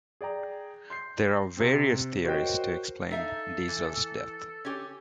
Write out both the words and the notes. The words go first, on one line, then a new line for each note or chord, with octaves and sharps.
There are various theories to explain Diesel's death.
G#4 D5 G5 A#5
C6 G6 C7
C3 C4
F#4 A#4 C5 C#5 D#5 G5
D#4 A4 E5 F5
E3
C#4 G4